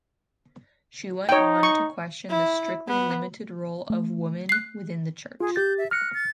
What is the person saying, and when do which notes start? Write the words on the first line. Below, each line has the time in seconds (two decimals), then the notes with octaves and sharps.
She went on to question the strictly limited role of women within the church.
1.29 D#4 C#5 G5
1.63 C#6
2.29 E4
2.88 B3
3.90 A3
4.49 F#6 C7
5.40 F4 G#4
5.56 G4 G6 A6
5.78 E5
5.91 F6 F#6 A#6 C#7
6.14 A6